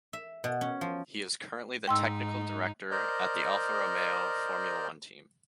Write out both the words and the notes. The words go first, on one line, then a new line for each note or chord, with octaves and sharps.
He is currently the technical director at the Alfa Romeo Formula One team.
E5
B2
C#4
F3
G#2 D#4 G5 C6 E6
A#4 C5 D5 D#5 F6 G6